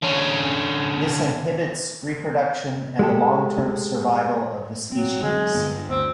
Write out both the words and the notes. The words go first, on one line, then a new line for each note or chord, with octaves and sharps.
This inhibits reproduction and the long-term survival of the species.
D3 C#4
G#3 G4 A4
F#3 C4
D3 F#3 G#3
G2 D3 B3
D2 C4